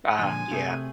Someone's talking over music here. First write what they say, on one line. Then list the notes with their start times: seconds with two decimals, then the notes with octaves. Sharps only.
Ah, yeah.
0.19 A#2 D3 F3 G#3 G#5
0.51 C3 A3 G#4